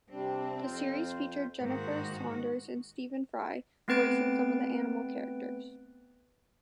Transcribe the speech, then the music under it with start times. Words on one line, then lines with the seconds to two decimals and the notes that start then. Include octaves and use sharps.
The series featured Jennifer Saunders and Stephen Fry voicing some of the animal characters.
0.10 C3 G3 C4 D4
0.62 F2 F4 C5
1.60 G#2 D#3 A#3 F#4 C5
3.88 A3 B3 C4 B4 A6 D7